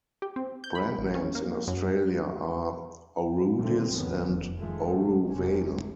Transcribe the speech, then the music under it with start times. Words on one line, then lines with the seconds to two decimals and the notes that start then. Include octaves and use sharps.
Brand names in Australia are Orudis and Oruvail.
0.22 G4
0.36 C4
0.64 G6
0.75 B5
0.98 A1
1.15 C#4
1.35 A#3
1.67 F#2
3.57 B2 D3 G3 A3 A#3 C4
3.92 G1 E2 D#3 F3 B3 C#4
4.28 F1
4.58 D#3 F3 G#3 A3
4.95 B2
5.25 F1 C3 C#4